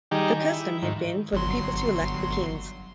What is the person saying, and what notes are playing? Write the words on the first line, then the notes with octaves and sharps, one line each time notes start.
The custom had been for the people to elect the kings.
D#3 G3 D#4 G4 G#4
G4
E4
G#2 D#3
G1 F#3 C6